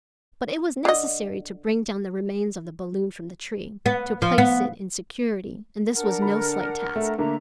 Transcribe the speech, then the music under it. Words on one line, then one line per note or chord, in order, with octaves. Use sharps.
But it was necessary to bring down the remains of the balloon from the tree, to place it in security, and this was no slight task.
D3 D#5
B3
F3
B3
D4 A#4 F#5
D3 B5
A3
D3 A3 A#3 E5 A#5